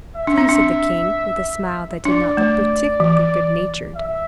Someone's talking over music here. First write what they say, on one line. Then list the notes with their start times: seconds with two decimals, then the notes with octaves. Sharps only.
"True," said the king, with a smile that did not look particularly good-natured.
0.16 E5
0.27 D4
0.38 C4
0.49 D4
2.05 D4 D5
2.37 A3
3.00 E3
3.95 E5